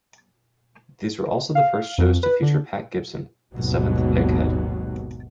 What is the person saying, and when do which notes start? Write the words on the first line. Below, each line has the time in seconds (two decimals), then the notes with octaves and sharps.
These were also the first shows to feature Pat Gibson, the seventh Egghead.
1.55 F5
1.98 F2
2.23 B4
2.42 D3
3.54 G#1 D#2 B2 F#3